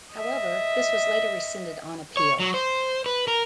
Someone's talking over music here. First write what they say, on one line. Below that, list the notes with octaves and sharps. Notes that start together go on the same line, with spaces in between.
However, this was later rescinded on appeal.
D#5 E5
C#5
F#3
C5
B4
A#4